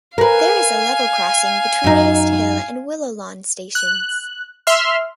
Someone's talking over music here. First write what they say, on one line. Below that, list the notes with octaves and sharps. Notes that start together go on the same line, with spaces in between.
There is a level crossing between Haste Hill and Willow Lawn stations.
A#4 B4 F5 G#5
F#2 D#4
F#6
E5 C6 F6